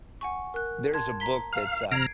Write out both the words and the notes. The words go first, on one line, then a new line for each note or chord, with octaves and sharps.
there's a book that, uh,
F#5 G#5 C#6
A#4 F#6
A5 C6 G#6
A#5 B6 G7
F5
C3 A#5 F6 G#6 C7 D7